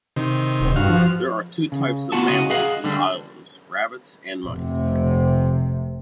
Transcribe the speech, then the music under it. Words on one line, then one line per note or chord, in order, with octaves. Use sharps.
There are two types of mammals in the islands: rabbits and mice.
C3 D#3
D#1
G2 F#4 F5
F3
C#3
B3 F4 F#4 F#5 A5
C#3 F#4 D#5
G#4 D#5 F5 F#5
D3 G3 D4
F1 C3